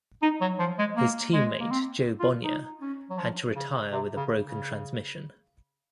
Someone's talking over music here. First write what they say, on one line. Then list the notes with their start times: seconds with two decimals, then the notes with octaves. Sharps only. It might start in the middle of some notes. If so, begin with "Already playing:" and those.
His teammate Jo Bonnier had to retire with a broken transmission.
0.22 D#4
0.41 F#3
0.59 F3
0.79 G#3
0.96 A#3
1.33 G#3
1.60 A#3
1.70 C4
2.20 F4
2.44 D#4
2.81 C#4
3.10 F#3
3.18 F3
3.55 C#3
3.92 C3
4.17 C#3
4.41 C#3